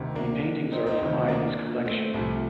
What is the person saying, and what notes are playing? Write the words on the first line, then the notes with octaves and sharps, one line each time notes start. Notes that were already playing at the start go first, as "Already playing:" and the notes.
The paintings are from Iveagh's collection.
Already playing: D2 C3 D#3
A#3 D4
C4 D#4
C4 D#4
D2 C3 D#3
A#3 D4
A3 C4
C2 C3 F3